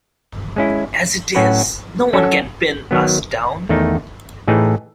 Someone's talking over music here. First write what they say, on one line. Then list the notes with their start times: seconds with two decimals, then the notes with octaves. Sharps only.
As it is, no one can pin us down.
0.56 G#3 C#4 E4
1.35 A2 F#3 C#4 F#4 B4
2.13 F#3 C#4 F#4 A4
2.91 D#3 F#3 B3
3.69 E2 D#3 A3 D#4
4.48 A2 E3 A3 D#4 G#4